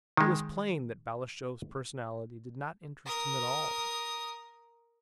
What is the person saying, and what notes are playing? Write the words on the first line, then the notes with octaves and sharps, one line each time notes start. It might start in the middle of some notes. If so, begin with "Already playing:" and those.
It was plain that Balashev's personality did not interest him at all.
D#3 G#3
A#4 D#6